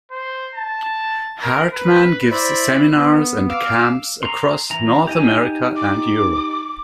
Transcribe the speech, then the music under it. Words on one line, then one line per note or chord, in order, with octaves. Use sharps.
Hartman gives seminars and camps across North America and Europe.
C5
A5
A#4
B4
E4 C5 D5 E5 B5
B3
F5 D6 E6 F6
A#5 C6
E3 A#5
D#4 G4 D#5 G#5
D6